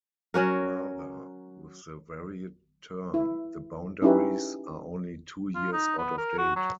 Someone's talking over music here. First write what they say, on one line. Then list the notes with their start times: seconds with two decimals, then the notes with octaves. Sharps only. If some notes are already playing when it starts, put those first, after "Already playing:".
Rather, with the varied term, the boundaries are only two years out of date.
0.34 F#3 C#4 F#4 A#4
3.14 E4
4.02 C#4 D#4 E4 G4 B4
5.55 F4
5.73 D#4
5.98 B3
6.18 A#4
6.38 F#4
6.56 F#3